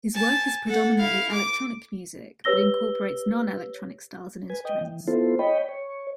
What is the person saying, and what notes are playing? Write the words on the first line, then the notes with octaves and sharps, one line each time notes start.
His work is predominantly electronic music but incorporates non-electronic styles and instruments.
G#5 A5
A4 F#5
E4 F5
D6
G4 B4 C#5 E6 A#6 G7
B4 G#5
D#5 G5
E3
B3 E4 F4 A4 C5
C#5 D#5 G5 B5
C#5